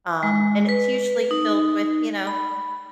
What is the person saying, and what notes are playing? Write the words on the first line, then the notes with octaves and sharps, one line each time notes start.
um, and it's usually filled with, you know,
G#3
B4
D#4
B5